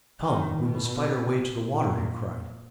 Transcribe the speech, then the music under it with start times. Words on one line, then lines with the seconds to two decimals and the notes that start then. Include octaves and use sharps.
"Come, we must fight our way to the water!" he cried.
0.22 D#3
0.59 B2
1.70 A#2